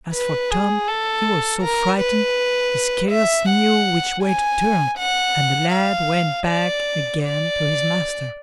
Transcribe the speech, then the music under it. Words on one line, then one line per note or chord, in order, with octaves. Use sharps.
As for Tom, he was so frightened he scarce knew which way to turn, and the lad went back again to his master.
B4
G#4
A4
A#4
B4
E5
F#5
G#5
F#5
F5
D5
D5